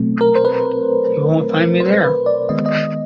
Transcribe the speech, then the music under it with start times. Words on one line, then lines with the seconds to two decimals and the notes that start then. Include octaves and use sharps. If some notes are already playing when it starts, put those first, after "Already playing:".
You won't find me there.
Already playing: B2 F#3 A3 C4
0.21 A#4
0.35 C5
0.45 B4
1.80 C5
2.04 B4
2.26 D5
2.49 D#3 G#3 B3 D#5
2.66 D#5